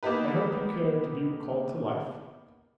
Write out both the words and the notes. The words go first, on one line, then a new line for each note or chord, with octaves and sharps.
"I hope you care to be recalled to life?"
A#3 B3 D#4 G4 B4